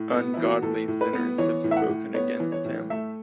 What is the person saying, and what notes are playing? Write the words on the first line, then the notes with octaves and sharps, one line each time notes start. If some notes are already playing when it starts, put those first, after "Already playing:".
Ungodly sinners have spoken against him.
Already playing: A2
B3
E3 E4
F#4
A2 A4
A2
B4
B3
E3 C#5
A2
E5
F#5
A2
B3 C#5
E3
C#5
A2
A3 E5